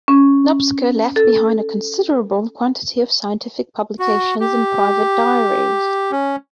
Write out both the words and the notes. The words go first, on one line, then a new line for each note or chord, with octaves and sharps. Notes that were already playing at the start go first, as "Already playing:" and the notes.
Nopcsa left behind a considerable quantity of scientific publications and private diaries.
C#4
A4
F#4
G4
C#4